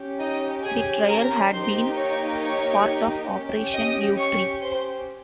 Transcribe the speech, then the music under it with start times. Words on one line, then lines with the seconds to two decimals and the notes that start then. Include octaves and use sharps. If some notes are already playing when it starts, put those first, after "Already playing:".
The trial had been part of Operation Yewtree.
Already playing: C#4 G4
0.19 D#4 D#5
0.64 G#4 G#5
1.07 A#4 A#5
1.52 A#3 D#4 G4 C5 C6
1.96 C#5 C#6
2.40 C#5 C#6
3.29 C#4 G4
3.72 D#5 D#6
4.17 C#5 C#6
4.61 C5 C6